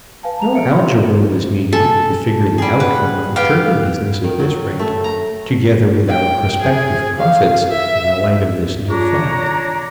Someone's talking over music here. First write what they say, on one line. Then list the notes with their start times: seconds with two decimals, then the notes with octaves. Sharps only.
No algebra was needed to figure the outcome of the turkey business at this rate, together with our prospective profits, in the light of this new fact.
0.23 B4 F5 G#5 A5
0.38 A5 A#5 F7
0.54 E5 C#7 D7
0.68 D#4 E4 G4 B5 C6
1.73 A4 G#5
2.58 G3 G#4
2.80 B4 F#5
3.36 B3 G4 F5 G5
4.24 D#3
4.39 F#3
4.79 A3
5.04 A#5
6.08 G5
6.61 G#4
7.18 F5
7.70 E5
8.90 D4 F4 C#5 A#5